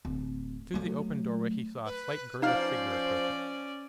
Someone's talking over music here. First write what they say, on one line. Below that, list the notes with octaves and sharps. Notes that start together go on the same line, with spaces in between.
Through the open doorway he saw a slight girlish figure approaching.
D1
F#3 A3
B4
F3 C#4 D#4 C5 D5 F5 F6